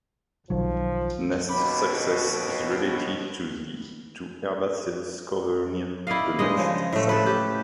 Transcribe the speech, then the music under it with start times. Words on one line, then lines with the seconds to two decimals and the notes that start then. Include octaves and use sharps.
Nest success is related to herbaceous cover near the nest site.
0.50 B1 D#3 F3 F#3
1.49 D#2 B2 G4 B5 D6
2.85 B3
6.07 E4 D5 D#5 F5
6.39 G2 G#3 D#5
6.57 C#3 F3
6.93 A2 A3
7.09 A4 B4
7.26 G4